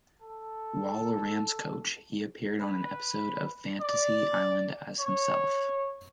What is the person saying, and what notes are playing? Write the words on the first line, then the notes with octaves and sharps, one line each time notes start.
While a Rams coach, he appeared on an episode of Fantasy Island as himself.
A4
B4
D5
C#5